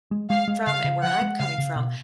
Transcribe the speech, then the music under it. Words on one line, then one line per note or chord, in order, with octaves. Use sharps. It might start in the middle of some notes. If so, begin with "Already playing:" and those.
from and where I'm coming from,
G#3
G#3 F5
G#3
C#3 F5
C#3
F3 F#5
G#3
C#3 F5
C#3
B2